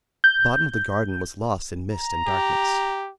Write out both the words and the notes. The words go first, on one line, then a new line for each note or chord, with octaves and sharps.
The bottom of the garden was lost in mist and darkness.
G6
A#5
G4